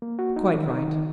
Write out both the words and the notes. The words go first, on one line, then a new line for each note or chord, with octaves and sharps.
"Quite right."
A#3
F#4
D#4
D#3
D#4
D#3